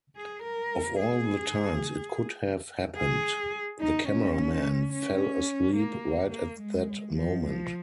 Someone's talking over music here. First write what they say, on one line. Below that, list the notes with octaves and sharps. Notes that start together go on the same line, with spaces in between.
Of all the times it could have happened, the cameraman fell asleep right at that moment.
G#4
A#4
G#4
G#4
D#4
C#4
C#4
A#3
A#3
G#3
F3
F3